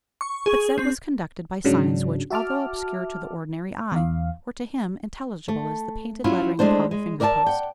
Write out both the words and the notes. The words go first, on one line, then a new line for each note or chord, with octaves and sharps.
But Zeb was conducted by signs which, although obscure to the ordinary eye, were to him intelligible as the painted lettering upon a finger-post.
C#6
G#4
C4
G#2 C#3 F#3 D4
F#4 E5 A5 D6 F6
E2 F5
A3
F#3 C#4 E4 F4
G#3 A3 D4 C5
G#3
A#4 D5 E5 F#5 A5
F#5 G5